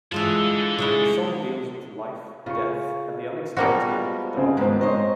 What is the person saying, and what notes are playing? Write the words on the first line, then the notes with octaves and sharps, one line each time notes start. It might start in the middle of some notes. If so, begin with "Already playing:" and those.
The song deals with life, death and the unexpected with dark humor.
D3 E3 G#3 F4 A5
C#3 G#3 E4
C#3 F4 C#6
F3 G3 G#3 A#3 B3 F#4
C#3 C4
G#2 D#3 F3 G#3 B3 C4
C5 C#5 D#5